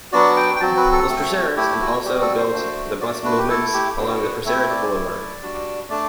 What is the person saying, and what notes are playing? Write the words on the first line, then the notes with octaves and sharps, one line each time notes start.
Los Proceres and also built the bust monuments along the Proceres Boulevard.
F#3 B3 D4 F#4 D5
G5
G5
F#3 C4 F#4 A5
B4
A4
A3 C4 F#4
A3 E4 G4
F#4
G3 C4 F#4 G4
A4
C5
A3 D4 F#4
A3 D4 F#4 D5
B4
G4
A3 E4 A4
G4
B3 D4 F#4
F#5
A3 C4 E4 E5
D5
A3 E4
G3 D4 F#4
A3 D4 D5